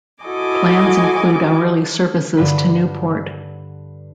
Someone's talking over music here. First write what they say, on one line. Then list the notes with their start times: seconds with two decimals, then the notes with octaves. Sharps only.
Plans include hourly services to Newport.
0.24 E4 F#4 A4 D#5 G#5 D6
2.37 G2 D3 D4 B4 B5